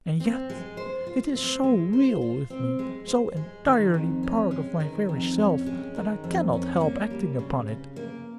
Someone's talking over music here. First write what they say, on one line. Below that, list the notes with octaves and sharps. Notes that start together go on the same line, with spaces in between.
And yet it is so real with me, so entirely part of my very self, that I cannot help acting upon it.
C4
G#3
C5
F4
C4
G#3
C5
F4
C4
G#3
C5
G#3
D#3
F2
C#4
G#3
D#3
F2
C#4
G#3
D#3
F2
C#4
A#3
G3
C#3
C#3
A#3